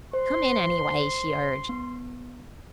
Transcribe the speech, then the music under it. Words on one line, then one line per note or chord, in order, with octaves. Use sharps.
"Come in, anyway," she urged.
C5 C6
B3